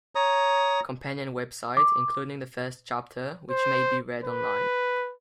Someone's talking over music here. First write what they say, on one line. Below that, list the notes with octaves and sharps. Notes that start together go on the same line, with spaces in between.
Companion web site, including the first chapter, which may be read online.
C#5 A#5 D#6
D6
C5
B4